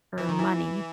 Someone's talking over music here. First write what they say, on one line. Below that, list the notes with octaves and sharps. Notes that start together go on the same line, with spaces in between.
or money,
E3
D#3
E3